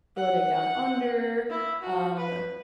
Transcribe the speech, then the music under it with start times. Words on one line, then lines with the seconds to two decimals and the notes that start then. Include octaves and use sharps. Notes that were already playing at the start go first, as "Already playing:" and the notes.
Below Deck Down Under, um,
0.17 F#5
1.49 E4
1.82 F#4
2.16 B4